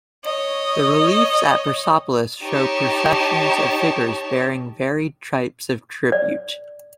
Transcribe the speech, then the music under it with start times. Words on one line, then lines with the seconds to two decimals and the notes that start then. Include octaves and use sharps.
The reliefs at Persepolis show processions of figures bearing varied types of tribute.
0.25 C#5 D#5
2.44 D#4 G4 C#5 A5
6.12 D5